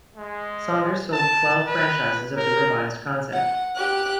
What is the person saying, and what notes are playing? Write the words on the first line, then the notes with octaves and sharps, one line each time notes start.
Saunders sold twelve franchises of the revised concept.
G#3
A5
B4
A#4
F#5
G4 F#6